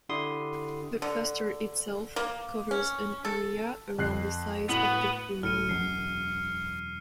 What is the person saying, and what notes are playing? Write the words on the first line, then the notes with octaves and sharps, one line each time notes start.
The cluster itself covers an area around the size of the full moon.
D3 E4 G4 C6 D#6
D3
A#3
C#4
A4
F2 F#6 C7
A2 B3 F#4
C#2 A2 F6 C#7 D#7
E1 F#2 C7